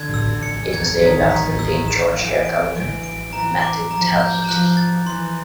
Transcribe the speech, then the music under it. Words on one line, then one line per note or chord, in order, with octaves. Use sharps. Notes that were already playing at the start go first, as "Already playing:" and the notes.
It was named after the late Georgia governor Matthew Talbot.
Already playing: D3 G#6
E6
C#7
G#6
D#3 B6
B6
D#3 E6
E7
E3 D7
D7
E3 D7
D7
E3 A#5
D6
F3 A#5
G6
F3 F#6
A6
E3 C6